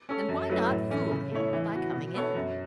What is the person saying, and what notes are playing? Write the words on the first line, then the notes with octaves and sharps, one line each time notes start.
"Then why not fool him by coming in?"
C#4 A4 C#5
F#2
F#3 A3 E4 B4
A2
E3 A3 C#4
C#3
A3 E4 C#5
E3
B3 F#4
B2
B3 A4 C#5
F#2